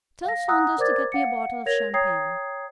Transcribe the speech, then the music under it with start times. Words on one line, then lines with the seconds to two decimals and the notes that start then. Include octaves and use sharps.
Tell Saunders to get me a bottle of champagne.
0.25 F5 A#6
0.48 F#5 G#5 A#5 D#6 E6 F#6
0.78 A#4 C5 D5 D6 G#6 A6
1.12 F5 F#5 C#7
1.66 A#4 C#5 G#6 A#6 F7
1.94 C#5 G5 A#5 D#6 G#6 C7